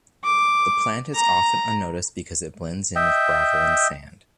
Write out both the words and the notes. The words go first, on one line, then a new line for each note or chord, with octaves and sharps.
The plant is often unnoticed because it blends in with gravel and sand.
D6
A#5
D#5 E5 G5